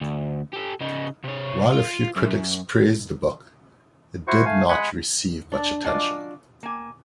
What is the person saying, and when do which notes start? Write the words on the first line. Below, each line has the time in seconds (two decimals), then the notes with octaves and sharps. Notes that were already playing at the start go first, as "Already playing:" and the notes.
While a few critics praised the book, it did not receive much attention.
0.01 D2
0.53 G4 A4
0.81 C#3 D#4
1.24 C3 C#5
1.72 F4
2.16 F#2
4.27 E4 F#4 C5 C#6
4.45 A3 F5 G#5
4.69 G#3 D#5 F#5 G#5 B5 F#6
5.52 D4
5.84 F#3 D4 F4 D5 D#5 G#5
6.63 A#3 G#5